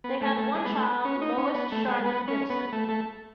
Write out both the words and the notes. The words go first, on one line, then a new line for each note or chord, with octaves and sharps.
They had one child, Lois Charlotte Gibson.
B3
A3
A3
G#3
B3
A3
C#4
D#4
C#4
B3
A3
G#3
B3
C#4
B3
A3
A3